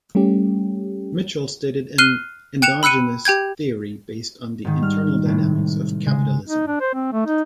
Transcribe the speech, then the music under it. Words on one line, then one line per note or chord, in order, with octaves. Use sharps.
Mitchell stated an endogenous theory, based on the internal dynamics of capitalism.
G3 A3 C#4 G4
F6 F#6 C7 D#7 G7
G5 F#6 C#7 E7 F7
B5 E6 F#6 C#7 D#7
G4 G5 G6 G#6
G#2 D#3
G3 F6
A2 C3
C#3 G#3
D#4
D4
C5
C4
A3
D#4